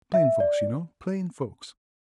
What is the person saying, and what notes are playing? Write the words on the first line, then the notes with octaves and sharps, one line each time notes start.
Plain folks, you know--plain folks.
E5
D5